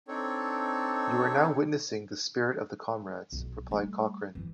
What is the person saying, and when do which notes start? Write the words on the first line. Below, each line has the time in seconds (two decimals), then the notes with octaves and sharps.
"You are now witnessing the spirit of the Comrades," replied Cochrane.
0.08 C4 D4 D#4 A4 C#5
3.32 B1
3.69 G3 A3
4.35 E3